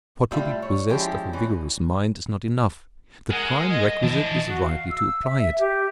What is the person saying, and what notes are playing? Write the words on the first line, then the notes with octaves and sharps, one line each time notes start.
For to be possessed of a vigorous mind is not enough; the prime requisite is rightly to apply it.
A2 G3 F4 E5
C#5
F3 G#3 C#4 E4 G4
E3 C#4
G#3 G#4 A#4 F#5
D#5
E3 D4 E4 D#5
F#4
F5
E6
E5
G4